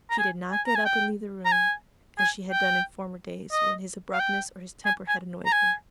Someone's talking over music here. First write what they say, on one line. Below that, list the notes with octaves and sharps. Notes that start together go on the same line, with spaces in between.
She did not get up and leave the room, as she had done in former days, when his abruptness or his temper had annoyed her.
A#5
G#5
G#5
A#5
G#5
G5
A#5
G#5
G#5
G5
D#5
F5
G5
G#5
G#5
A#5
G#5